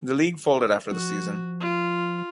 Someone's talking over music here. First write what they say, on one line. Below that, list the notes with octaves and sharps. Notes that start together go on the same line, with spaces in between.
The league folded after the season.
F3 F#4
F4